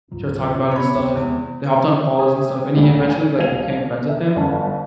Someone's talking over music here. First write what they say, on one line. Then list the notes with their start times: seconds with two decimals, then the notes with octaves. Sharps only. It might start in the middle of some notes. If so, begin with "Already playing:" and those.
started talking about it and stuff, they hopped on calls and stuff, and he eventually, like, became friends with him,
0.12 C#2 G#2 F#3 F4
0.41 F#1 A#2 C#3
0.71 B3 C#5 B5
0.94 G1 D2 G2
1.15 E2 C3 G#3
2.19 G4 G#5 D#6
2.77 D2 A#2
3.09 G#5 D#7
3.39 C2 A#3 F5 G#6 D#7 F7
4.06 A#4 E5
4.36 G1 C#4 A5